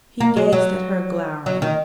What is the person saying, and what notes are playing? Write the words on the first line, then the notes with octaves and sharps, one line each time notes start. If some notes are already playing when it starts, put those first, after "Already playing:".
He gazed at her, glowering.
A#3
G#3
F#3
F#3
D#3